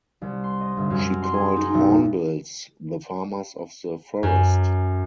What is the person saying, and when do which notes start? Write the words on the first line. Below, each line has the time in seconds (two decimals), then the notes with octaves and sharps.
She called hornbills "the farmers of the forest".
0.22 C2
0.44 C6
0.61 D#5
0.77 G1
0.90 F#2
1.23 C6
1.34 G#4
1.56 D#4
1.74 B1
4.23 F#2